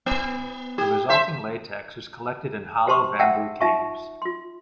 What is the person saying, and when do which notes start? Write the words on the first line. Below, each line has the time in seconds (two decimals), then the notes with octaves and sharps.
The resulting latex is collected in hollow bamboo canes.
0.06 B3
0.78 G4
1.09 C5 E5
2.88 G4 C5 A5 C6 C#6
3.19 E5 F#5 G5 A5 E6
3.61 D#4 F4 E5 A5 C#6
4.22 F4 C6